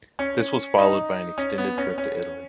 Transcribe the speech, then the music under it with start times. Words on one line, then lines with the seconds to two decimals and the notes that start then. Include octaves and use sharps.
This was followed by an extended trip to Italy.
0.19 C#4
0.78 D#4
1.38 C#4
1.58 B3
1.78 C#4
1.98 C#4